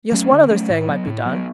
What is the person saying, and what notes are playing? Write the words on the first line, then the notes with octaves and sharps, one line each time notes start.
Yes, one other thing might be done.
F#3 A3 C#4
D3
F#3 A3 C#4
A2
F#3 B3
A2
F#3 B3